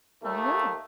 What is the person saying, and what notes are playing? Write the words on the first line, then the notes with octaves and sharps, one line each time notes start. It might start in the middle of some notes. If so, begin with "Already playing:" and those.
There you go.
D#2 A3